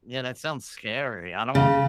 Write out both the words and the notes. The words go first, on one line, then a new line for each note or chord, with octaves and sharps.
Yeah, that sounds scary, I don't
C#3